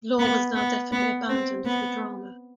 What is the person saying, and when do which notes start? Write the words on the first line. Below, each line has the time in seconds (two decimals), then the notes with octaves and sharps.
The law was now definitely abandoned for the drama.
0.19 B3
0.55 B3
0.92 B3
1.29 C4
1.65 B3